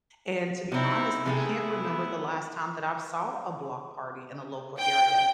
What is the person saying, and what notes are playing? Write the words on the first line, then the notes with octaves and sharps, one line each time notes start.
and to be honest, I can't remember the last time that I've saw a block party in a local area,
C3 C4 D#4 E4
C3 A3 B3 E4 G#4
G5